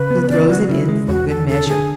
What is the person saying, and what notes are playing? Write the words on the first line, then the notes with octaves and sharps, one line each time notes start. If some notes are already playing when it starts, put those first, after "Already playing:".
He throws it in for good measure.
Already playing: C#3 B4
B3
C#3 D5
F#3 F#4
C#3 E4
G#3
E2 F#4
E2 A4
D3 A4
D3 G#4